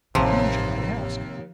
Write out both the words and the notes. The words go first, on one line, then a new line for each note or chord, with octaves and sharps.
But whom shall I ask?
A1 D#2 C3 F3